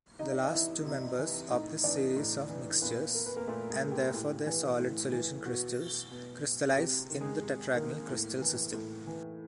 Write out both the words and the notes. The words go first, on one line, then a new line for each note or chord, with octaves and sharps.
The last two members of this series of mixtures, and therefore their solid solution crystals, crystallize in the tetragonal crystal system.
C3 D#4 D#5
D5
D#5
E3 E4 E5
C3
E3
A2 D#4 D#5
E3 D4 D5
A2
E3
A#2 B3 B4
A#4
B4
A#3 A#4
A#2 A3 A4
G#3 G#4
G4
A2
E3
A2
E3
B2 F#4
B2
G#4
C3 G4
D#3
G#3 G#4
C3
D#3 A#3 A#4
A2
E3
A2
E3